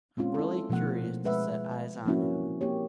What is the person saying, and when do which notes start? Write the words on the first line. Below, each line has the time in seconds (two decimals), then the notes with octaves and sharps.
I'm really curious to set eyes on him.
0.17 G#3 C4 C#4 F4
0.34 E4 A4
0.69 B2 F3 A3 A#3 F#5
1.25 G#3 B4 E5 F#5
2.06 F3 A#3 C4 C#4 E4 F#4
2.61 A#3 C4 G4 C#5